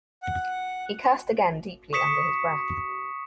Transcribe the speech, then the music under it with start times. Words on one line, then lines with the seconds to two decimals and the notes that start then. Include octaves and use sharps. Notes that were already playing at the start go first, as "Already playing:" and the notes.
He cursed again deeply under his breath.
0.22 F#5
1.93 C#6 D#6 B6 C#7 E7